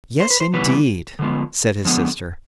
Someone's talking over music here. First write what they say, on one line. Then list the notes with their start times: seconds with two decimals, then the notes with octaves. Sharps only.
"Yes, indeed!" said his sister.
0.20 C5
0.30 B4
0.40 C5
0.53 C#3 E3 G3 B3 B4
1.19 D3 F3 G#3 B3
1.85 D3 F3 G#3 B3